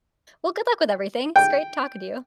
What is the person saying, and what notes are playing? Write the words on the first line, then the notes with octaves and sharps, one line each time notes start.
well, good luck with everything. It's great talking to you.
G5